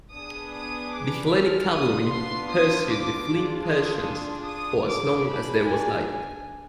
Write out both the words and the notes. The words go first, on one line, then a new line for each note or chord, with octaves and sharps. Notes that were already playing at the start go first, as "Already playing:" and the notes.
The Hellenic cavalry pursued the fleeing Persians for as long as there was light.
B3 D4 G#4 D#6
D#6
D6
F6
B3 D4 F4 D#6
C6
D#6
D6
D4 F4 G#4
D#6
D#6
D4 G#4 D6
B5
G#5
G#5